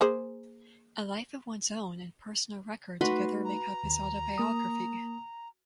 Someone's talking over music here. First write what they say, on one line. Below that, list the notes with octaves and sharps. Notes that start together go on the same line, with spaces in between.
'A life of One's Own' and 'Personal Record' together make up his autobiography.
A#3 G#4 C5
A3 D#4 F#4 B4 C6
A#5
D#2
A#3 D#6